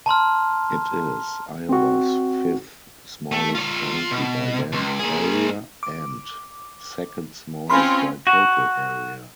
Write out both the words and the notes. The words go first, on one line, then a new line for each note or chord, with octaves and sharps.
It is Iowa's fifth-smallest county by land area and second-smallest by total area.
A5 A#5 C6 F6
C4 F#4
A3
F4 C#5
B2
C#2
A#3 G#4
D6
C4 C#4 F4 B5 C6 F6
F#4